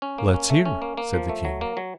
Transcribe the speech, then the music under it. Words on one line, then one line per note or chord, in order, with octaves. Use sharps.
"Let's hear," said the king.
C#4
A#3
C#4
A3
C#4
A#3
A#3
F3
A3
F#3
A#3
F#3